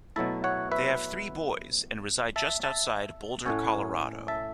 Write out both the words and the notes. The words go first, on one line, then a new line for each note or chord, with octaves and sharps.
They have three boys and reside just outside Boulder, Colorado.
B2 F#3 A3 E4 E5 A5
C#5 F#5
B4 E5
E5 A5
E5 A5
A2 A3 C#4 C#5 F#5
E5 A5